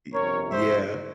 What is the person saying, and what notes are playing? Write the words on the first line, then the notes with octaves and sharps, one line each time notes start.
Y yeah.
G1 F2 C3 A#4 C#5
C5 E5